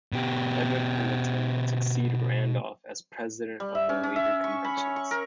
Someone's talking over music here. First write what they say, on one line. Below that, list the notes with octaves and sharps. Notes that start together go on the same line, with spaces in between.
Edmund Pendleton would succeed Randolph as president of the later conventions.
B2 G4
G3
E5
C#4
C#4
E5
C#6
B5
C#5
C#6
A#4